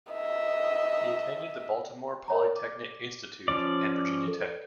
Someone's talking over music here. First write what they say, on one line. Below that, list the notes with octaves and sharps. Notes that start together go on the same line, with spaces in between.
He attended the Baltimore Polytechnic Institute and Virginia Tech.
D#5 E5
A#4 C#5 A#5
D6
F3 C#4 D5
A4